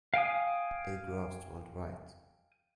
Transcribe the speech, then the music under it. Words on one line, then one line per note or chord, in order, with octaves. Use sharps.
It grossed worldwide.
F5 G5 G#5 D#6